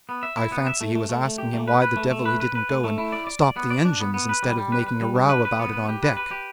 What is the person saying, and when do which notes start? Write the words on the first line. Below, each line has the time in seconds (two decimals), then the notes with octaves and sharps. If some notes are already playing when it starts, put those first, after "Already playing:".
I fancy he was asking him why the devil he didn't go and stop the engines, instead of making a row about it on deck.
0.09 B3
0.23 E5
0.37 E4
0.52 B3
0.67 E5
0.81 A3
0.95 A3
1.09 A3
1.24 A3
1.38 G4
1.53 A3
1.68 B4
1.82 B4
1.96 A3
2.11 A3
2.26 B4
2.40 B4
2.55 B4
2.69 A3
2.84 A3
2.98 E4
3.12 D5
3.27 D5
3.42 D5
3.56 B3
3.70 D5
3.85 D4
4.00 B3
4.14 B3
4.29 B4
4.43 G3
4.58 G3
4.72 B4
4.87 B4
5.01 G3
5.15 D4
5.29 B4
5.45 B4
5.59 B3
5.73 B4
5.89 G4
6.03 B4
6.17 B4
6.31 G4